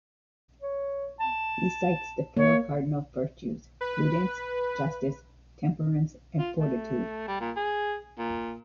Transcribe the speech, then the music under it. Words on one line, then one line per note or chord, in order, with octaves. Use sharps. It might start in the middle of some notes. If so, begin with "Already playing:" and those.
He cites the four cardinal virtues: prudence, justice, temperance, and fortitude.
C#5
A5
A#3 C#5
B4
F4
A3
G3
A#2
G#4
A#2